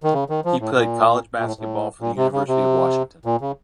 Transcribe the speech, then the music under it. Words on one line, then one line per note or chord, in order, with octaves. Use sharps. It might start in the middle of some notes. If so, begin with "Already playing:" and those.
He played college basketball for the University of Washington.
D#3
C#3
D#3
F3
A2
A#2
A#2
A2
A2
A#2
C3
C#3
C3
A#2
C#3